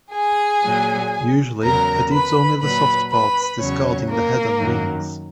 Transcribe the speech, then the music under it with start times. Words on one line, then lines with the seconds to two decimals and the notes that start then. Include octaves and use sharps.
Usually, it eats only the soft parts, discarding the head and wings.
0.15 G#4 G#5
0.64 A#2 F#3
1.63 E2 C#3 F#3 A#4 A#5
2.12 B4 B5
2.61 A#2 F#3 B4 B5
3.10 B4 B5
3.59 E2 C#3 F#3 C#4 C#5
4.09 A#3 A#4
4.58 F#2 D#3 F#3